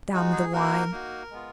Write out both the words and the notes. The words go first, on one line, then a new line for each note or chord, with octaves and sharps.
Damn the wine!
G#3 D#4 F#4
G#4
A#3 D#4 F#4 A#4
A#3 D#4 F#4
G#3 B3 F4